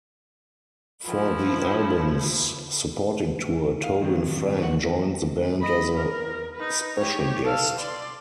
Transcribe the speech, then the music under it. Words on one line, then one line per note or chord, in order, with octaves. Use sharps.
For the album's supporting tour, Tobin Frank joined the band as a "special guest".
F3 E4
F5
A2 D#3 F3 F#3 C4
A3 D#4 E4 F#4 G4 F#5
D#5 B5
A#4
D#4 B4
G4 C#5
A4 F5
D5 C6